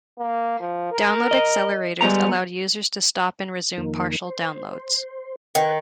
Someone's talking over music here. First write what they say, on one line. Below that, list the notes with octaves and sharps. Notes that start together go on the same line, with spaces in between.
Download accelerators allowed users to stop and resume partial downloads.
A#3
F3
A#4
D#5
G3 G#3 B3 A#5
F2 D#3 A#3
C5
D#3 B4 F#5 G#5